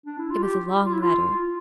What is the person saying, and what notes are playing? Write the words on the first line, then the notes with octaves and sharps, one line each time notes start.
It was a long letter.
D4
E4
F4
G4
F4
E4
F4